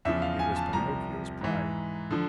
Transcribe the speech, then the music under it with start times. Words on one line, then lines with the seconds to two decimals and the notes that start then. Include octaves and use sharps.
It was Pinocchio's pride.
0.05 E2 C#3 F3 E5
0.22 F5
0.39 G#5
0.56 A5
0.73 C2 C3 F3 A#5
1.41 G#2 E3
2.11 D3 F3